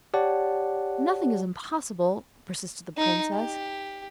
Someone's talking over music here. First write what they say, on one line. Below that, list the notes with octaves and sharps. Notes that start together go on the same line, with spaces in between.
'Nothing is impossible,' persisted the princess.
G4 C#5 D5 F#5 A5
D#4
G4